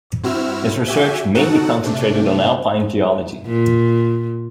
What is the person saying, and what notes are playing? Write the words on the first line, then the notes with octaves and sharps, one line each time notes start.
His research mainly concentrated on alpine geology.
G2 C4 E4 F#4 E6 F6
F#4 G4 E5 G#5
D#4 F#4 A4 F#5
C3 A3 D4
A#2